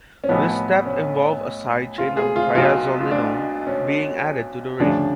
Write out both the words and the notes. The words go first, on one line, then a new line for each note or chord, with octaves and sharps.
This step involved a side chain of triazolinone being added to the ring.
C#4
B1 A2 F3 B3
C#4
F4
G#4
F4
B1 B2 F4
F4
D4
C#4
D2 C#3 F3 D4